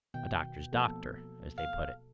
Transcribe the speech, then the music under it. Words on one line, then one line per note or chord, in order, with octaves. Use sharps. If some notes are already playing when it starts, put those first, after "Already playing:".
A doctor's doctor, as they put it.
B2 D#3 G5
F3 A#3 B3 A4
F5